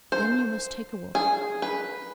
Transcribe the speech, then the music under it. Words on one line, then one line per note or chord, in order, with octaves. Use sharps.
Then you must take a walk.
C5
G#4
B4